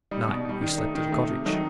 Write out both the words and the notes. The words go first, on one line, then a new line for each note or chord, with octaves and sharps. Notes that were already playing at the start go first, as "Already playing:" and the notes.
At night we slept at a cottage.
G3 D#4
B2
G3 D#4
D#3
A3 D#4
D#3
A3 D#4
C3
D#3 F#3 A3 D#4